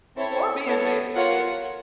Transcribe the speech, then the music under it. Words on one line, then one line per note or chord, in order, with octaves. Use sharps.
or be in theirs, yeah,
C4 E4 A4 C#5
B3 E4 A4 C#5
F4 A#4 C#5 F#5